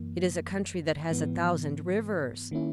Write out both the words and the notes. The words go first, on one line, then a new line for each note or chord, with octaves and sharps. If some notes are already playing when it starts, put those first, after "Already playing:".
It is a country that has a thousand rivers.
Already playing: F#2 E3 A#3
G#2 E3 B3
D#3 A#3 C#4 E4